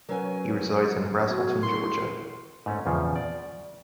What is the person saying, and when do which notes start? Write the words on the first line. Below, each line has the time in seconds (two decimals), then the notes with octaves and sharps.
He resides in Braselton, Georgia.
0.09 F#3 C#4 A#4 B4 F#5 G#5
1.28 B3 F#4 C#5 G#6
1.63 E4 A#4 C6 C#6
2.66 G#2 A3 C#4
2.86 E2 A#2 C#3 F3
3.16 D5